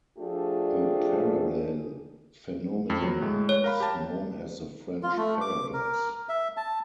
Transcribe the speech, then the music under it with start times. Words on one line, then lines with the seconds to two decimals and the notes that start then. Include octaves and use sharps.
A parallel phenomenon is known as the French Paradox.
0.18 F3 A3 D4 F4 G4 G#4
2.90 F2
3.02 F#3
3.21 A2 G#3
3.49 C#5
3.64 A#4 F5 B5
3.80 G4 A5
5.03 F4
5.17 A3
5.41 D6
5.73 A#4
6.29 E5
6.57 A5